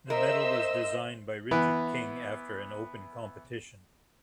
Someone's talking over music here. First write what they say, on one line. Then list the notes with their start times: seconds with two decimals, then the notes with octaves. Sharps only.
The medal was designed by Richard King after an open competition.
0.10 A#4 C5 D#5 E5 E6
1.51 E3 B3